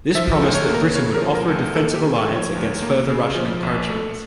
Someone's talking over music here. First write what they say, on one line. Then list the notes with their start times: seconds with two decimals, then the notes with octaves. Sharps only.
This promised that Britain would "offer a defensive alliance against further Russian encroachments".
0.15 F3 E5
0.35 A4
0.42 D2
0.55 C#5
0.68 A#3
0.74 A#4
0.95 C#3 C#5
1.14 A#4
1.22 F3
1.35 A#4
1.48 D2
1.75 A#3 A4
1.95 G4
2.02 C#3
2.16 A4
2.29 F3
2.36 C#5
2.55 D2
2.83 A#3
3.09 C#3
3.35 F3
3.63 A#1
3.89 A3